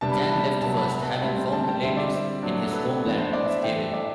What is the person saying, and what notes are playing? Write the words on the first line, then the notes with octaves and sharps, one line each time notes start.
Jan left first, having found relatives in his homeland to stay with.
C3 G3 B3 D4 A5
B5
A5
B5
C3 F#3 B3 A5
B5
A5
B4
G5
A2 G3 C4 E4
A5
G5
D3 G3 C4 E4 E5
D5
F#3 A3 D4
A4
B4
A2 E3 B3 D4
C5
D5
E5
E3 A3 E4 G5
E5
D5